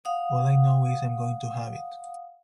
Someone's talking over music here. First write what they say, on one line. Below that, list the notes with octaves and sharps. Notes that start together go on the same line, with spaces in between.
All I know is, I'm going to have it.
F5 F#5 D#6